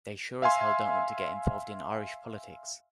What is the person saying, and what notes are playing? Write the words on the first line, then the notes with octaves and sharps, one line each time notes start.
They sure as hell don't want to get involved in Irish politics.
E5 F5 G#5 C6